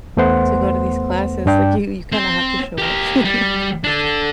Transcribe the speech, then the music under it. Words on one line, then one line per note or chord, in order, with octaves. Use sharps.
to go to these classes. Like, you you kinda have to show up, you know?
E2 A3 B3 C5 F#5 C6
G2 D4 G5
C4
G4 A#4
G3
D4 A4